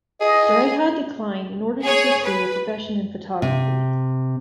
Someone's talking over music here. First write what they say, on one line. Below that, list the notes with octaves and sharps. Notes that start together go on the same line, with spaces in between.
Dreja declined in order to pursue a profession in photography.
G#4 D#5
G#4 C#5
B4
C3